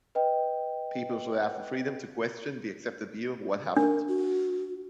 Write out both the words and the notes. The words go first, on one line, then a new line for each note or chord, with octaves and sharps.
People should have the freedom to question the accepted view of what happened.
B4 D#5 G5
D4 A#4
F#4